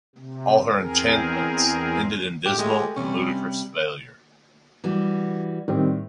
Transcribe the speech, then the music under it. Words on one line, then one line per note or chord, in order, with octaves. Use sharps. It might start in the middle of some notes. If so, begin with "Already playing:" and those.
All her enchantments ended in dismal and ludicrous failure.
C3
E2 C4 G#4 A#4
A2 G4
G#3 A3 G4 G#5
C3 G3 C#4
E3 G3 F#4
A2 D#3 G3 C4